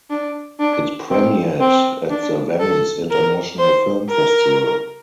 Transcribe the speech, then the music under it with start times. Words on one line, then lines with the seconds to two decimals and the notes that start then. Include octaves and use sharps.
It premiered at the Venice International Film Festival.
0.10 D4
0.60 D4
1.10 C4
1.60 C4
2.10 D4
2.60 A4
3.10 A#4
3.60 C5
4.10 A#4